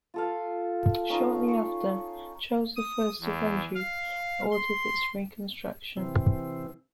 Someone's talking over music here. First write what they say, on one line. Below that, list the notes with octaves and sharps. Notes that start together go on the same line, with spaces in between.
Shortly after, Charles the First of Anjou ordered its reconstruction.
F4 A4 F5
C#4 D#4 F4
C#6
D#6
E2
F5
C6
C3 E3 C4